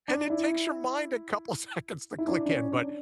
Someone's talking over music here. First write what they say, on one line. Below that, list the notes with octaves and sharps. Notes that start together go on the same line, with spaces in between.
and it takes your mind a couple seconds to click in but
D4
E4
E4
D4
D4
C#4
D4